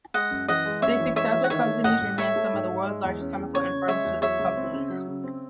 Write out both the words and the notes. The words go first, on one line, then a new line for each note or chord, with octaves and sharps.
The successor companies remain some of the world's largest chemical and pharmaceutical companies.
G#3 D#5 F#5
F#2
E3 D#5 F#5
G#3
F#2 C#5 E5
E3
G#3 C#5 E5
E3
F#5
D#3 C#5 E5
A3
A1 D#5 F#5
A1
A3 C#5 E5
A3
G#2
G#2
G#3
E2
C#4
E2
C#3 C#5
C#3
G#3 C#5 E5
E2
F#3 C#5 E5
C#2
C4
C#3
F#3
C#3
C4